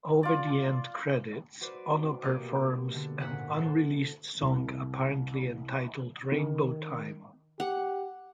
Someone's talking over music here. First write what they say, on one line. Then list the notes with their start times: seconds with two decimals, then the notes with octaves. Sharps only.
Over the end credits, Ono performs an unreleased song apparently entitled "Rainbow Time".
0.23 F4 D5
1.61 F#4 B4 C5 D5
2.21 B2 A#3 G4 D#5 D6
2.95 D3
3.19 G#1 A#2 F#5 A#5 F#6 B6
3.57 E4 A4 C5
4.41 C2
6.32 D#3
7.60 G4 F#5